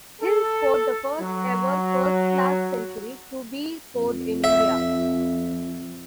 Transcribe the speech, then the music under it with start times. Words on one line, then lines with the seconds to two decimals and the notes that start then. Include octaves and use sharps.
Hill scored the first-ever first-class century to be scored in India.
0.21 A4
1.20 F#3
3.95 F2
4.44 E5